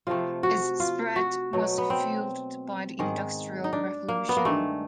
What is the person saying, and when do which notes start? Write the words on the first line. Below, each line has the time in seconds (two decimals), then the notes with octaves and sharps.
Its spread was fueled by the Industrial Revolution.
0.07 C3 F3 A3 F4
0.43 F#4
0.80 F4
1.16 F#4
1.53 B2 F#3 A3
1.78 B3
1.90 C4
2.99 G#2 D#3 G#3
3.64 D#4
3.73 D4
4.09 A#3
4.29 B3
4.37 A#3
4.45 G2 D#3 G#3 A3